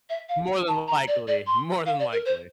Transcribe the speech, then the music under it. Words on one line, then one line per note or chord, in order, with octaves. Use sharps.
More than likely. More than likely.
E5
F5
A5
A#5
D5
D5
C6
F5
D5
A#4
C5